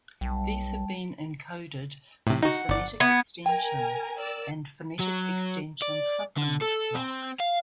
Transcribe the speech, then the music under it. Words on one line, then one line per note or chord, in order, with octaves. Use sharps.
These have been encoded in the "Phonetic Extensions" and "Phonetic Extensions Supplement" blocks.
B1 G3 A5
A2 C3
D#4 F#4 F#5
G1 D5
B3 G#6
A#4 G5 G#5 A#5
A#4 D5 E6
F#3
D5
D3
A4
C4
F5